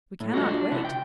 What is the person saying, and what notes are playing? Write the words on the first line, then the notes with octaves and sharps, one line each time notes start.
"We cannot wait."
A2
G#3 A3 B3 D#4 F4 F#4
D4
C3 E4 F#4
G5